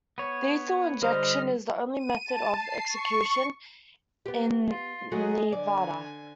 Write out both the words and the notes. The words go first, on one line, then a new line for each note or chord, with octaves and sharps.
Lethal injection is the only method of execution in Nevada.
B3 C#5
D3 G3 C5 D#5 F6
D#7
A5
C7
C#6
B3 G4
F4
F#3 A3 F#4 G#4 D#5
D3 D5 G#5